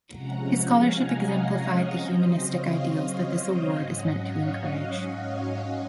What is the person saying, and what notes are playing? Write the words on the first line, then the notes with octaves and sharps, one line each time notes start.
His scholarship exemplified the humanistic ideals that this award is meant to encourage.
C3 F3 G#3 C#4 F#5 A#5
F5 G#5
D#5 F#5
C#5 F5
C#3 F#3 C4 C5 D#5
C#5 F5
C#5 F5
G#2 F#3 C#4 D#5 F#5
C#5 F5
D#5 F#5
C#5 F5